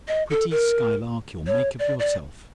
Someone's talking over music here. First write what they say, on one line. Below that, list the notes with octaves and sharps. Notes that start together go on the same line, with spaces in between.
A pretty skylark you'll make of yourself!
D#5
A4
A#4
C#5
D5
D5